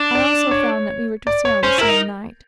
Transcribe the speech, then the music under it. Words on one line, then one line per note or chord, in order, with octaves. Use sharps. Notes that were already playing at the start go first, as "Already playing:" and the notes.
I also found that we were to sail the same night.
Already playing: D4
D5
C#5
D5
C#5
C#4 C5
E4 A#4
D#4